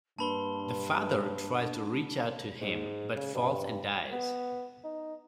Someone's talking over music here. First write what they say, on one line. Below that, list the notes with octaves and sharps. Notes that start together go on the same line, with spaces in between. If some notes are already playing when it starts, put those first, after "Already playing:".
The father tries to reach out to him, but falls and dies.
G2 A#3 D4 B4 A5 B5 C6 G7
G#2
C#3
G2
B3
D#4